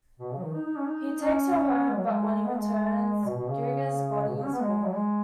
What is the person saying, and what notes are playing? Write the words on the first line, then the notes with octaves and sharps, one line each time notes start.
He takes her home but when he returns, Geiger's body is gone.
B2
C#3
F#3
D#3
D#4
D#4
C#4
D#4
C#4
G#3
F#3
G#3
B3
G#3
B2
B2
C#3
B2
C#3
C#4
B3
G#3
F#3
G#3